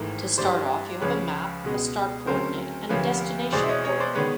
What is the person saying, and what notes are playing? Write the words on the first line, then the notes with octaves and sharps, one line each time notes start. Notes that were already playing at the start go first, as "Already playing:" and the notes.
To start off, you have a map, a start coordinate and a destination coordinate.
Already playing: G#1 G#2 E3 A3 A#4
G2 E3 G3 C5 D5
C#2 C#3 F3 G#3 B4 C#5
C#2 B2 G#3 B3
D2 C#3 F#3 A3 C4 A#4 C5
D2 C3 F3 A#3 B4 C#5
E2 B2 G#3 C5 D5
E5
C#5 D#5
C#5 D#5
C5 D5
D#3 G#3 B3 B4 C#5